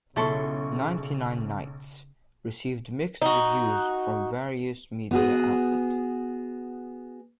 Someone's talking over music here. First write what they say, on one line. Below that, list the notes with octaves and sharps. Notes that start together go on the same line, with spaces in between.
"Ninety-Nine Nights" received mixed reviews from various media outlets.
B1 C#3 E4 A4 C6 C#6
D#4 F#4
B3 F#4 G#4